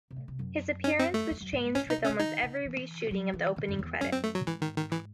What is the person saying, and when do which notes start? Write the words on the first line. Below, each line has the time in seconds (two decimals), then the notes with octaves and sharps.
His appearance was changed with almost every reshooting of the opening credits.
0.11 C3
0.16 A2
0.28 C3
0.39 F#2
0.84 C#4
0.99 C4
1.14 A3
1.30 E2
1.41 F#2
1.52 A2
1.64 G#2
1.75 A2 C#4
1.86 C3 D#4
1.97 C#3
2.05 C#4
2.09 C#3
2.20 D#3 D#4
2.43 C#3
2.65 E3
3.11 F#3
3.33 E3
3.56 D#3
3.68 F#2
3.79 E2
4.01 F#2 C#4
4.12 C4
4.24 A3
4.35 F#3
4.41 A2
4.47 G#2 E3
4.62 D#3
4.77 D#3
4.92 E3